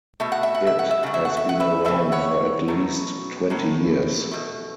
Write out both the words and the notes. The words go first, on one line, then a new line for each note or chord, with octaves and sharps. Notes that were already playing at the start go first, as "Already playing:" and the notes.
It has been around for at least twenty years.
B2 A3 E5
F#5
E5
F#5
E5
F#5
E5
C#3 F#3 A3
E5
F#5
E5
F#5
B4 E5
C#3 E3 A3 B4 E5
C#5 F#5
B2 F#3 A3
A2 F#3
B2 A3